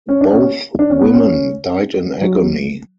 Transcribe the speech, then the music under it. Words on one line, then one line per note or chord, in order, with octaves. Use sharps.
Both women died in agony.
C#4
D4
C#4
D4
C#4
B3
C#4
F#3